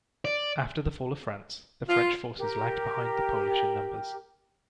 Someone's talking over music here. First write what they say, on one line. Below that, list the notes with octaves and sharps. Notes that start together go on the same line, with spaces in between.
After the fall of France, the French forces lagged behind the Polish in numbers.
D5
F4
G4 A#4